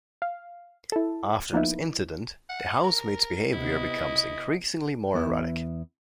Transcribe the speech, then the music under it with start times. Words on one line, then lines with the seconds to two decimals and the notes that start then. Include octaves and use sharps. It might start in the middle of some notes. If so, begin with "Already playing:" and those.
After this incident, the housemaid's behavior becomes increasingly more erratic.
0.22 F5
0.92 E4 A4
1.53 F3 A#3 B3 D#4 E4
2.49 F#5
2.84 A#4
3.53 C3 B3 E4 D#5
5.14 E2 B3 E4